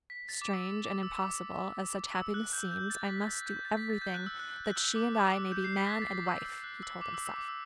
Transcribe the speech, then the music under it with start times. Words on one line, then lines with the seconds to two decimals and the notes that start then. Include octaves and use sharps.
"Strange and impossible as such happiness seems, I must do everything that she and I may be man and wife," he told himself.
0.10 B6
0.29 A6
0.42 D6
0.53 E6
0.84 D6
1.03 E6
1.17 E6
1.22 D6
2.15 E6
2.34 F#6
2.53 G6
2.71 G6
2.90 A6
3.08 B6
3.27 A6
3.46 G6
3.65 A6
3.77 B6
3.90 A6
4.02 G6
4.14 F#6
4.26 E6
4.40 F#6
4.51 F#6
4.65 F#6
4.76 E6
4.96 D6
5.15 D6
5.25 D6
5.34 E6
5.52 G6
5.64 C7
5.77 B6
5.89 B6
6.02 A6
6.27 E6
6.45 E6
6.64 F#6
6.83 E6
7.01 D6
7.14 E6
7.26 E6
7.36 D6
7.48 E6